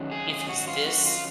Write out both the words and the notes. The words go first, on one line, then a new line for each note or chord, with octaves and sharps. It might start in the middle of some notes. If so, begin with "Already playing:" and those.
If he's this
Already playing: D#3 F#3 C#4
G#4
G#4
F#4
F4
F#4
F4